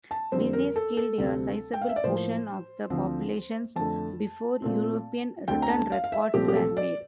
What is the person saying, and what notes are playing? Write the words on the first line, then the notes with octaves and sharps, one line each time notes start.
Disease killed a sizable portion of the populations before European written records were made.
A5
F2 D3 G3 C4 C5
A#4
A4
A4
D2 C3 G3 C4
G5
F5
E5
D5
A2 F3 A#3 C5
D2 D3 F3 C4
F2 D3 A3 A5
A#2 A3 C4
D2 D3 A3 C4 G5
A#5
A5
F5
F5
E5
C2 A#2 F3 A3 C4 G4
G4
A4
D5